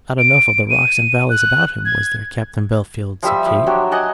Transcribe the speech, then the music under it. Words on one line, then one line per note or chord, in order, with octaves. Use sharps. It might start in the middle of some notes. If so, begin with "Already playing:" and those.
"Not enough of the rocks and valleys about him, was there, Captain Bellfield?" said Kate.
D7
D#7
F#6
G#6
F3 G3 E5 E6
F3
F#3 D4 G4 C#5
D#5 F#5 G#5 A5